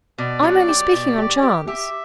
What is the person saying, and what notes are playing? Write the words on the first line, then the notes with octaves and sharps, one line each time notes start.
I am only speaking on chance.
B2 D5
F#3
G4
B2
G4
G4
G4 E5